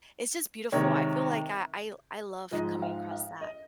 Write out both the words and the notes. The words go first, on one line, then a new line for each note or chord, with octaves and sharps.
it's just beautiful. I feel like I I I love coming across that.
C3 D#3 G#3 C#5
G#2 F3 G#3 D#5
F5
F5
D#5